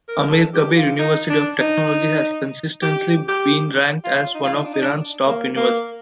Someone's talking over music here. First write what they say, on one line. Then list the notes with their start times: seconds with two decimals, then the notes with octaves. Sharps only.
Amirkabir University of Technology has consistently been ranked as one of Iran's top universities.
0.08 A#4
0.31 A4
0.54 G4
0.77 F4
0.99 D#4
1.30 D4
1.60 D#4
2.82 G4
3.28 G4
4.04 F4
4.35 D#4
4.43 F4
4.54 D#4
4.65 D4
4.74 D#4
4.82 D4
5.27 A#3
5.57 A#3